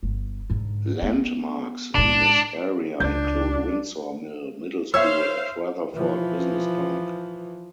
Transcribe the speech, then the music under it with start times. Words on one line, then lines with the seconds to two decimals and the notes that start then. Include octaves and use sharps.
Landmarks in this area include Windsor Mill Middle School and Rutherford Business Park.
0.03 G1
0.50 G#2 D3
1.02 B3
1.95 A2 G#3 D4
3.00 C#2 D4 G6
4.94 C5 C#5 E5 F5 E6
5.96 E3 F3